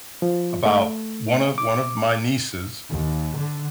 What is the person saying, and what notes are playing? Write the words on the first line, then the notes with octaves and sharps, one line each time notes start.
about one of one of my nieces,
F3
A3
D6
D#2
D3